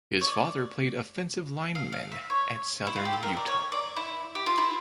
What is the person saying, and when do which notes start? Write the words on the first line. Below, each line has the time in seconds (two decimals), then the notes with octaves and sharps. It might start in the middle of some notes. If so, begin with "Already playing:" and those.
His father played offensive lineman at Southern Utah.
0.21 C#5
0.27 D5
1.75 F5
1.92 F5
2.12 E5
2.30 C#5
2.87 E4
2.96 F4
3.05 G4
3.13 A4
3.23 A#4
3.37 D5
3.47 C#5
3.72 D5
3.97 E4
4.35 G4
4.46 F4
4.58 E4